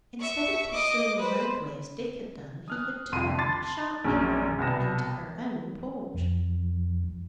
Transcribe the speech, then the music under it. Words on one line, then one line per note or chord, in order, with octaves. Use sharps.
Instead of pursuing the roadway as Dick had done he had turned sharply round into her own porch.
E5 C#6
D#5 D6
B4 C5
D#6 F6 F#6
C2 F2 C6 D#7
A5 B5 C6 D6 A6
A#1 F#2 C#4 F6
C2 B2 B3 A5 A#6 E7
F2